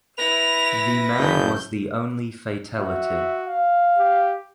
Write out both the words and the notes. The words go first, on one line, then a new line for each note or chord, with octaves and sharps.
The man was the only fatality.
E4 B4 A#6 F7
F#1 G6
F#4 E5
F5
G4